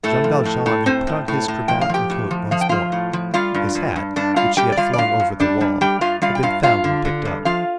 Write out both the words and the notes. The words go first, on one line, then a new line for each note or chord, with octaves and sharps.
Jean Valjean had put on his cravat and coat once more; his hat, which he had flung over the wall, had been found and picked up.
A2 A3 A4
F3
A2
A2
A2 C4 C5
A2
A2
A2
F3 G5
F5
F3 G4 G5
A2
F3
F3 F5
G5
F3 F4 F5
A2
F3
G3 F4 F5
G2
G2
G2
G2 D4 D5
G3 F4 F5
G3 G4 G5
D5
G3 F4 F5
D5
G2 F4 F5
G2
G3 D4 D5
G3
G3 G4 G5
G2 F4 F5
G3 F4 F5
G5
G2 F4 F5
G2 F4 F5
D3
D3
G2
F3 F4 F5